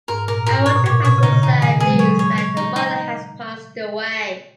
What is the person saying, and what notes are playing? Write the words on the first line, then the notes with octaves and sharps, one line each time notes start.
I want to pass a sad news that your mother has passed away.
G#2 A#4
A#2 A#4
G#2 A#4
A#2
C#5
B2
A#2 C#5
B2 C#5
C#3 D#4
C#3
D#3 D#4
F3 G#4
G#3 G#4
F#3
C#5
C#5
C#5
D#4
D#4